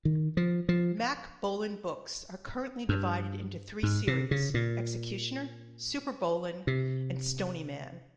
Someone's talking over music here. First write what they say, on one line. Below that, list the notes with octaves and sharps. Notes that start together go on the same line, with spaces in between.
Mack Bolan books are currently divided into three series: Executioner, SuperBolan, and Stony Man.
D#3
F3
F3
G2
G#2
C3
C#3
A#2
C3